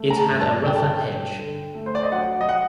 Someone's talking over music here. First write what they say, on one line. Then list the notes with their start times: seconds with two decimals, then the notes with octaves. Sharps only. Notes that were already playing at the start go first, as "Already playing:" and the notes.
It had a rougher edge.
Already playing: A3
0.10 A#5
0.17 A5
0.29 G2
0.41 A5
0.65 D3 G5
0.76 A5
0.87 G5
1.02 G2
1.39 D3
1.75 A3
1.86 C5
1.95 D5
2.03 D#5
2.12 F#3 F#5
2.41 D#5
2.49 F#5